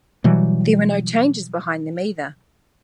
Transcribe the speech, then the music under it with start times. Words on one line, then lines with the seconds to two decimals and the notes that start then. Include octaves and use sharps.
There were no changes behind them either.
0.24 B2 E3 F#3 G3